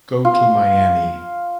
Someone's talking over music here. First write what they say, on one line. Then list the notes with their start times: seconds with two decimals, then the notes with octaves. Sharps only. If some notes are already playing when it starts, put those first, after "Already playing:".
Go to Miami.
0.25 F4